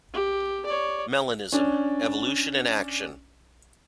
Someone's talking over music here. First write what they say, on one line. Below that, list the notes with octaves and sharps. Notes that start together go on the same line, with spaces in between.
Melanism, Evolution in Action.
G4
C#5 D5
C#4 D4